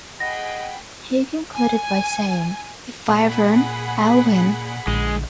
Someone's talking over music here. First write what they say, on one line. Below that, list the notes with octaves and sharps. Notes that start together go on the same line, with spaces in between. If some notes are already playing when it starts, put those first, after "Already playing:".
He concluded by saying: If I run, I'll win.
G#4 D#5 F#5 G5 B5 A#6
G#5
A#2 G#4 F#5 B5
A#1 D3 F3 G#3